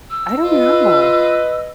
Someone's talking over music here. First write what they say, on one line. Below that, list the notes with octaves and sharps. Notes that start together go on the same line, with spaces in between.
I don't know.
E6
F4 B4 D#5